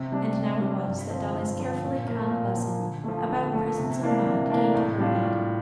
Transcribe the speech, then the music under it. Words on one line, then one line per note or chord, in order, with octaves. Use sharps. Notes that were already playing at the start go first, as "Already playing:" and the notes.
And now it was that Dolly's carefully conned lesson about presence of mind came to her aid.
Already playing: C3
G3 D4
C3
G3 D4
G2
D3 F3 C4
G2
D3 F3 C4
A#2
F3 A#3
A#2
F3 A#3
D3
F3 A3
D3
F3 A3
C3
E3 A#3 D4
C3
E3 A#3 D4
A2
G3 D4 F4
A2